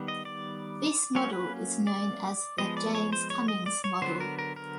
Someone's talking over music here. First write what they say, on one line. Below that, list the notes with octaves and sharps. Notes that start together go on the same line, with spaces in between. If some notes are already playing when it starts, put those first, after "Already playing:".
This model is known as the Jaynes-Cummings model.
Already playing: D#3 G3 B3
D#5
D5
F#3 A#3 C#4 C#5
B4
D5
F3 G#3 B3 D#5
D5
C#5
C5
C#5
D#5
D5
C#5
D3 F#3 B3 C5
A#4
A#4
A#4